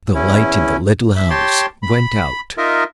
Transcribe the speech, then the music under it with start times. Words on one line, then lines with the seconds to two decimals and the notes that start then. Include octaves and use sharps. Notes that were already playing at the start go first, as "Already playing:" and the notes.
The light in the little house went out.
0.14 E2 C#4 E4
1.16 E5
1.30 G4 C#5 G5 A5 C6
1.83 B5
2.58 D#4 F4 A#4 D#5 E5